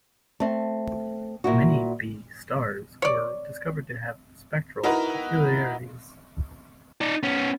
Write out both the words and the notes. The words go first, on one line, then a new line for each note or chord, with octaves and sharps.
Many Be stars were discovered to have spectral peculiarities.
A3 C4
A#2 E4 F#4
C#5 D5
D#4 E4 F#4 A#4 B4 A#5
D#4 D5
B3 C#4